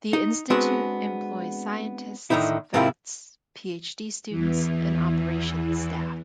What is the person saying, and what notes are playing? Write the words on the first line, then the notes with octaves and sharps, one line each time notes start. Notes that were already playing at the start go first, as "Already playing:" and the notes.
The Institute employs scientists, vets, PhD students and operations staff.
D#4
G#3 B3 C4 D4 F#4 G#4
A2 D3 D#3 D#4 E4
G#2 C3 F3 A#3 C4 E4
E2 E3